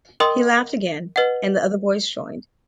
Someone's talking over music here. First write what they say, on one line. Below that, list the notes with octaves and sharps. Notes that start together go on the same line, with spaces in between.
He laughed again, and the other boys joined.
A#4 D#5 G5 C6 D#6
B4 D#5 F#5